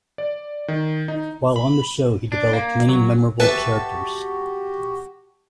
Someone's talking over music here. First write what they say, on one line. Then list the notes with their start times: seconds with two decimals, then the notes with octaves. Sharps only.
While on the show, he developed many memorable characters.
0.18 D5
0.68 D#3
1.08 D#4
1.56 B5
2.32 D4
2.53 A#3
2.89 F#3
3.40 F#4 G4 A4 B4 E5 A5